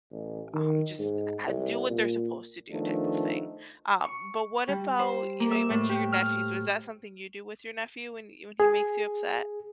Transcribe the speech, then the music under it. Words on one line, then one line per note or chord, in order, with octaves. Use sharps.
um, just a a do what they're supposed to do type of thing, um, but what about, you know, you mentioned your nephew, so is that something you do with your nephew when when he makes you upset?
A1
D#3
G#2
C2
A#2
D#3 F3 A3 B3 D4 D#4
C#6
G3
C5
A#3
E5
A2
G4
F6
G#4